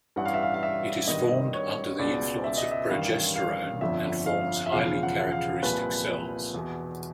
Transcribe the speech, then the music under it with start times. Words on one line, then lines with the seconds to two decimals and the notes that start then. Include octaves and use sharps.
It is formed under the influence of progesterone and forms highly characteristic cells.
0.16 A1 G2 E3 F#5
0.25 F5
0.34 E5
0.43 F5
0.54 F5
0.63 E5
1.07 G#1 G2 D#3 D#5
1.54 C#5
1.99 C#2 B2 D5
2.44 E5
2.57 D#5
2.72 E5
2.90 A1 G2 D#3 F5
3.36 F5
3.81 G1 F2 D3 F3 E5
4.26 F5
4.66 E5
4.72 E1 E2 C#3 F3 F5
5.03 F#5
5.32 F5
5.62 C2 A#2 F3 B4
6.54 E2 B2